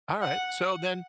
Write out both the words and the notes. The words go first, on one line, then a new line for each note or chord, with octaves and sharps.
All right, so then,
F#5